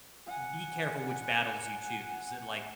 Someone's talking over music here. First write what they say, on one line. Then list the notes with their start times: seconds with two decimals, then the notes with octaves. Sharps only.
be careful which battles you choose. Like,
0.27 F#5 G#5